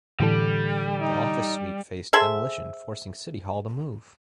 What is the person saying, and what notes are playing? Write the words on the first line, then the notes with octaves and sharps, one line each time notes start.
The office suite faced demolition, forcing city hall to move.
A2 D3 E3 G3 A4
D#4
G#4 A4 C5 E5